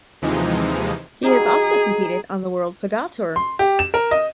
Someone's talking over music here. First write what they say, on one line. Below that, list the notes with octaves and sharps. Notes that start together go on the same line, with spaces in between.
He has also competed on the World Padel Tour.
D#2 C3 E3 F3 G#3 D#4
F#3 G3 D#4 G#4
C6
G4
E7
A#4
D#5